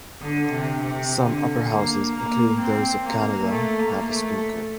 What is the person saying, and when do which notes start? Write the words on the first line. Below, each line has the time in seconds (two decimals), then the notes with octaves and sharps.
Some upper houses, including those of Canada, have a speaker.
0.21 D3
0.51 C3
0.81 C3
1.25 D3
1.70 A#3
2.15 A#3
2.60 C4
3.05 A#3
3.50 A3
3.79 A#3
4.09 A3